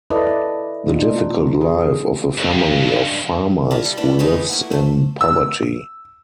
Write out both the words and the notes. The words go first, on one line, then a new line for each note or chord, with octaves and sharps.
The difficult life of a family of farmers who lives in poverty.
E4 A4 B4 D5 D#5
B2 D4 D#4 F4
G#4
C#2 G2
D3 E4 F4
G3
G3 A3 B3 D4 E4
G#3 D4 D#4 F4 B4 C#5
A3 A#3 E4 F#5
A3 A4 C5
E6